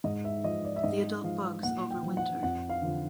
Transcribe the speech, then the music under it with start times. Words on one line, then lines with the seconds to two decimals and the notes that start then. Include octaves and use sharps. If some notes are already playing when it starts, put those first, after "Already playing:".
The adult bugs overwinter.
0.04 G#2 D#5
0.25 E5
0.44 F3 D#5
0.65 D5
0.76 E5
0.83 G#2 D#5
1.24 F3 F5
1.63 A#2 F#5
1.91 G5
2.03 F3
2.17 F#5
2.43 F2 F#5
2.69 F5
2.82 D3 F3